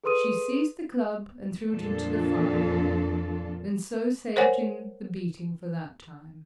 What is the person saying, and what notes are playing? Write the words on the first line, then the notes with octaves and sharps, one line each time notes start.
She seized the club and threw it into the fire, and so saved him the beating for that time.
G#4 A4 B4 C6 D#6 D#7
F2 A#2 F3 D4 F4 A4
A#4 C5 C#5 F#5 G#5